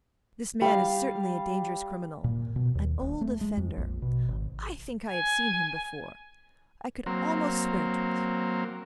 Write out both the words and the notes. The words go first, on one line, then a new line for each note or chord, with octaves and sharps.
"This man is certainly a dangerous criminal--an old offender--I think I have seen him before--I could almost swear to it."
G3 F5
A#2
B2
D#2
D#1
A3
G#3
F2
A#1
B2
G#1
G#5
F#3 A#3 C4